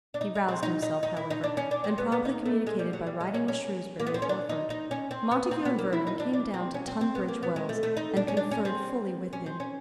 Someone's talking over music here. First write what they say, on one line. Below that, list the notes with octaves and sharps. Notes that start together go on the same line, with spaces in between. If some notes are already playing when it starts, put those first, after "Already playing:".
He roused himself, however, and promptly communicated by writing with Shrewsbury and Orford. Montague and Vernon came down to Tunbridge Wells, and conferred fully with him.
D4
D#4
D#4
C4
D#4
D#4
D#4
E4
D#4
D4
C#4
D4
C4
B3
B3
D#4
A3
G#3
G3
F#3
G3
G#3
C#4
C#4
A#3
B3
C4
C#4
D4
D#4
D#4
C#4
C4
B3
C4
B3
A#3
E4
D#4
D4
D4
C4
C#4
C4
C4
B3
A#3
B3
G#3
A3
A3
D#4
D4
C#4
D4
C#4
C4
C#4
C4
C#4